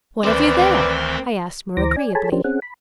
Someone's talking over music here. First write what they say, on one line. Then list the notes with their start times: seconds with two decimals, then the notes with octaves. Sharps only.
"What have you there?" I asked more agreeably.
0.24 D2 D#3 E3 C4 B4 C5 D5
1.77 D2 E3 C5 A#5 D6 A#6
1.96 D5 G#5
2.15 G#4 A4 C#5 G#5 A5 B5
2.32 F3 C#4 D4 G4 A#4 C5
2.44 C4 C#4 G#4 F#5
2.62 B5